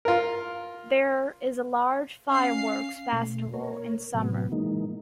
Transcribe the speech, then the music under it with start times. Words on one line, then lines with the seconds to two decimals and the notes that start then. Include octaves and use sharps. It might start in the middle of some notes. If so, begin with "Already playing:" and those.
There is a large fireworks festival in summer.
0.05 F4 A#4
2.29 C#4 F5 C7
3.13 B2 A3
3.54 A#3 A#4 C#5
4.14 A2 C3 F#3 B3
4.52 E3 G#3 A#3 D#4